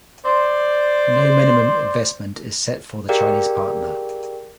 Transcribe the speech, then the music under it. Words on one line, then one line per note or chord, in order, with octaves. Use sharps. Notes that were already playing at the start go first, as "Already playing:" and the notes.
No minimum investment is set for the Chinese partner.
C5 D5
G4 G#4 A#4 D5 F5 G5